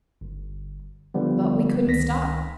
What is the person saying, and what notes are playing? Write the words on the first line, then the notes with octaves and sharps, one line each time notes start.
But we couldn't stop.
G1
D3 F3 G3 B3
C#2 D#3 A#6 B6